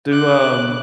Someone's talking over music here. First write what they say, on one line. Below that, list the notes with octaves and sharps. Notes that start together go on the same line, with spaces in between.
Do, um
D6 F#6